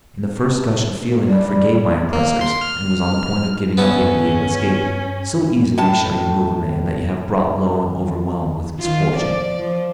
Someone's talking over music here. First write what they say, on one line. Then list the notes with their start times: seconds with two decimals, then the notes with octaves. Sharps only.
In the first gush of feeling I forgave my oppressors, and was on the point of giving up the idea of escape; so easily shall you move a man that you have brought low and overwhelmed with misfortune.
1.28 G3 D5
2.13 A#3
2.41 C6
2.61 F6
3.77 G2 B3 C#4 E4 A5
5.78 A2 A5
8.79 D#3 F4
9.13 F3 D5
9.59 F3